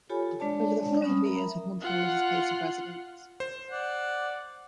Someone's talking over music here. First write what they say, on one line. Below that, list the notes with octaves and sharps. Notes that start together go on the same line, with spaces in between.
Over the following three years, with Montreal as his place of residence.
F4 G4 A4 C#5 G#5 B5
G#3 D4 C#5 D5 A5
G3 C#4 B5 D#6
A#4 E5 A#5 B5
F4 F#5
C5
D5 F#5